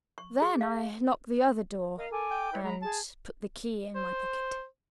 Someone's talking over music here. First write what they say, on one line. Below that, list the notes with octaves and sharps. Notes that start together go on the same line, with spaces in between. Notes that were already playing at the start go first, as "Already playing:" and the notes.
Then I locked the other door, and put the key in my pocket.
C#6
G#4
F5
A#4 D#5 F5
A4 G#5 D6
G5
E4 B4 C#5
G#3 A#5 B5
G#4 A5
C5